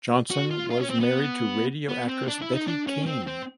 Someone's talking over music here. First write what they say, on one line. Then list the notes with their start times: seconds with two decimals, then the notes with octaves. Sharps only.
Johnson was married to radio actress Betty Caine.
0.31 F#4
0.51 F4
0.70 F4
0.80 C#4
0.90 C4
1.00 B3
1.89 B3
2.08 C4
2.28 D4
2.42 E4
2.54 D#4
2.67 D4
2.87 C#4
3.06 C4
3.27 C4